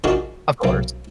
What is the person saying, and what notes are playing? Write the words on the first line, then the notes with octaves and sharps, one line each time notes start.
Of course.
D#3 G#3 D4 F4 F#4
B1 A#3